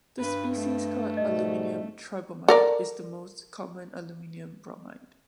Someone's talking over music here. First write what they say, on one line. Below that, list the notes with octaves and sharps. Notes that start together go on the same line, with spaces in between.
The species called "aluminium tribromide," is the most common aluminium bromide.
G2 B4
A3
G#2 B2 G3 D#5
A4 A#4 D5